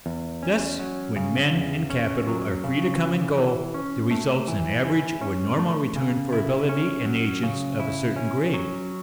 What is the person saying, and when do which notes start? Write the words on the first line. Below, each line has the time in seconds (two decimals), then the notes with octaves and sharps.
Thus, when men and capital are free to come and go, there results an average or normal return for ability and agents of a certain grade.
0.06 E2
0.43 C#4
0.79 F#3
1.16 C#3
1.53 E2
1.90 C#4
2.27 F#3
2.64 C#3
3.00 E3
3.37 E3
3.74 C#4
4.11 A3
4.48 E3
4.85 E3
5.21 C#4
5.59 A3
5.96 C#3
6.33 E4
6.69 C#4
7.06 F#3
7.43 C#3
7.80 E4
8.16 C#4
8.54 F#3